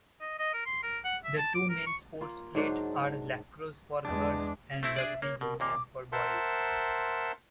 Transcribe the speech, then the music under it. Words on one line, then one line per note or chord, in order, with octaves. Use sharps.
The two main sports played are lacrosse for girls and rugby union for boys.
D#5
D#5
A#4
C6
A#4
F#5
E5
A5
D6
A#4
C#6
A#3 F4
G#2 F#3 D4 C5
E2 G#3 D4
A3 C4 E4 E5
D4 G#4 D5
A#3 C#5
B2 A#4
D#2 A#2 A#3 D6
A#4 C5 E5 F#5 A5 C6